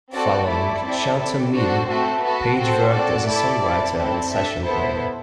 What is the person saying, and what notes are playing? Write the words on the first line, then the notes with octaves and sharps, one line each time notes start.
Following "Shelter me", Page worked as a songwriter and session player.
C4 F#4 A4 D5
A3 E4 A4 D5
C4 E4 A4
C4 E4 A4
D4 F#4 A4 C5
A3 C4 F#4 A4
B3 F#4 A4 B4
C4 F#4 A4 C5
C4 F#4 A4 D5
A3 E4 A4
C4 E4 A4
C4 E4 A4
D4 A4 E5
B3 E4 A4 C5